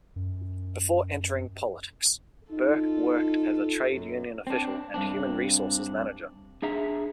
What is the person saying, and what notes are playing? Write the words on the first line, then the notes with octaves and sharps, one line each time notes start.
Before entering politics, Burke worked as a trade union official and human resources manager.
F#2
D#4 F4 A4
F#2
C4 D4
G2 C4 D4
D4 G#4 E5 A#5